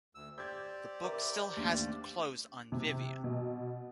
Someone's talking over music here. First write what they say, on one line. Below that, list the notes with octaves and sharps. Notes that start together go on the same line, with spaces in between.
The book still hasn't closed on Vivian.
D2 E6
G4 C5 D5 E6 G6 G#6
A#4 B4 E5 D6
D#2 A3 A#3 D4
C3
B2